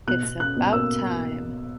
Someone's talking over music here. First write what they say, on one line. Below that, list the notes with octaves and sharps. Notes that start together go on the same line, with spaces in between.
It's About Time.
B2 F#6
B2
C#4 F#6
B2
A#3 E6